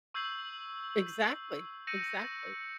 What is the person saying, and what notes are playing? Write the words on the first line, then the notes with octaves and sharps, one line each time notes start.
Exactly, exactly.
C#6 E6 G6 G#6 C7 F#7
E6 G6 A#6 C#7 D#7 E7